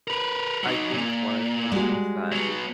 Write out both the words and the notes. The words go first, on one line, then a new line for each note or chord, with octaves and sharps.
I think one of the things that
A#4 B4
F#3 D#4
A#2
G3 G#3 F#4
F#3 B3